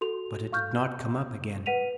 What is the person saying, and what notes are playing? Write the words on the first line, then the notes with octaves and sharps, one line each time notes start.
But it did not come up again.
F#4 A4 C6 F7
F5 C#6 F6 G6
B4 F#5 B6 D#7 F7